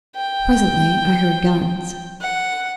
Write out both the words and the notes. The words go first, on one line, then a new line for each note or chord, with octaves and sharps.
'Presently I heard guns.
G5
F#5